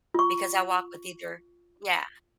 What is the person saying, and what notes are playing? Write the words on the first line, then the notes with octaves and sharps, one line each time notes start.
because I walk with either Yeah,
F4 C#6